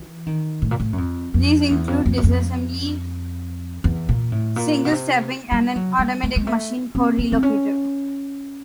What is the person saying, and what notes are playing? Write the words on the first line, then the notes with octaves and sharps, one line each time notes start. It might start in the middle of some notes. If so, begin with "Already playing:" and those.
These include disassembly, single-stepping, and an automatic machine code relocator.
Already playing: E3
D#3
A2
A#2
A2
F#2
F2
F2
E2
F2
F2
F#2
F2
E2
A#2
A2
A#2
B2
C3
G3
F#3
G3
G#3
G#3
A3
C4
C4
C4
C#4